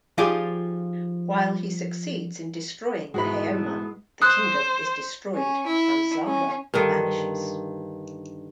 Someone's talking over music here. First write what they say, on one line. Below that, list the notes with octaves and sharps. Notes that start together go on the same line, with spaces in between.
While he succeeds in destroying the Haoma, the kingdom is destroyed and Zahra vanishes.
F3 D#4 F4 G4 G#4 D5
G#2 B2 G#3 A3 B3 E4 F#4 B5
C5 D#6 F#6
C#4
E4
C#4
G2 D3 D#3